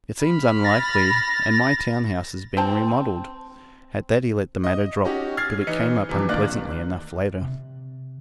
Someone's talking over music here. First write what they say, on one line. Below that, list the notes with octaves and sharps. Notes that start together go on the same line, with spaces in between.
"It seems unlikely, and my town house is being remodeled." At that he let the matter drop, but it came up unpleasantly enough, later.
B5 F6
A6 A#6
C4 G5 A5
D#5
C#4 D#4 F#4 G4
F6 G#6 A6 C7
E3 D#4 C#7
F2 C3 E3
G#1 D3 D#3 A#3 D5 F#6
C3